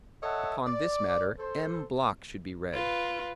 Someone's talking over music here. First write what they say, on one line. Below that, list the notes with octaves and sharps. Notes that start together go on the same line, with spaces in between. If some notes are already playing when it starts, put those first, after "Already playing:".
Upon this matter M. Bloch should be read.
A4 C#5 D#5 E5 F#5 A5
D5
A4 C5
F4 B4